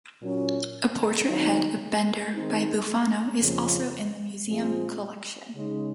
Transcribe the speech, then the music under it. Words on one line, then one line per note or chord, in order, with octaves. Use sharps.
A portrait head of Bender by Bufano is also in the museum collection.
A#2 F#3 C#4
D#3 F#3 C4 D#4
D#3 G#3 C4 D#4
F2 C#3 F3
A#2 F3 G#3 C4 F4
C#3 G#3 D#4